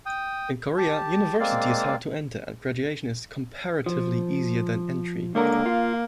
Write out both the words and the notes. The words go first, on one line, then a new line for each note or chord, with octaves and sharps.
In Korea, university is hard to enter, and graduation is comparatively easier than entry.
G5 D#6
G4 A5
G#3 A#3 C4 D5 F5
F3
C#2 D3 A#3 A#4
F4